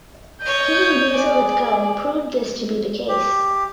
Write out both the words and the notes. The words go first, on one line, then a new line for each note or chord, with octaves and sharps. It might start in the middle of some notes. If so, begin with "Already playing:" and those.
He and Basil Lythgoe proved this to be the case.
C#5 D#5 G6
G#4 D5
G4